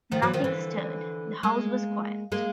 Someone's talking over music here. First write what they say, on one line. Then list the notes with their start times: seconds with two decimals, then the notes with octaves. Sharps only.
Nothing stirred — the house was quiet.
0.12 D#3 F3
0.22 E3 F#3
0.34 D#3 F3
0.44 D3 E3
1.43 G#3 A#3
2.32 G#3 A#3